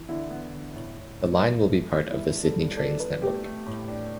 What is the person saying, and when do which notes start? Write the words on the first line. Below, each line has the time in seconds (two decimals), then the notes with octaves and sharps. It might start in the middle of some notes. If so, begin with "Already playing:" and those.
The line will be part of the Sydney Trains network.
Already playing: E3
0.08 D3 E4
0.31 B3
0.53 D3
0.75 A2
0.99 A2
1.20 A3
1.43 E3
1.64 A3
1.87 E3
2.10 G3 E4
2.32 D4
2.43 A4
2.54 G3
2.77 D4 A4
3.00 D4 B4
3.22 A3 G4
3.44 A3
3.66 A2
3.88 D4